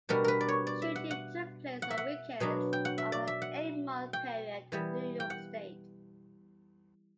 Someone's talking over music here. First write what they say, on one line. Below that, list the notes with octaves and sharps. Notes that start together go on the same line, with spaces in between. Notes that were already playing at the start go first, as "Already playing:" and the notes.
Shooting took place on weekends over an eight-month period in New York State.
B2 G3 B3 D4 A#4
A#4 B4
D5
C#5
D5
E5
F#5
F#5
F#5
E5
F#5
B2 F#3 B3 D4
G5
F#5
E5
D5
E5
F#5
G5
E3 G3 B3
G5
F#5